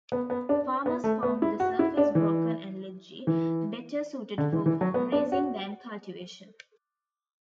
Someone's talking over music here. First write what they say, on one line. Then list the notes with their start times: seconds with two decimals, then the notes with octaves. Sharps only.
Farmers found the surface broken and ledgy, better suited for grazing than cultivation.
0.12 B3
0.30 B3
0.49 D4
0.86 B3
1.04 A3
1.23 B3
1.42 E4
1.60 F#4
1.79 E4
1.97 D4
2.15 E3
3.27 E3
4.38 D3
4.53 E3
4.66 E3
4.81 F#3
4.94 B3
5.12 D4
5.32 F#4